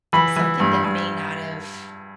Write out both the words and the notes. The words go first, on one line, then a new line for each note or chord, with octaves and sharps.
something that may not have
E3 B5
E3
G2
G2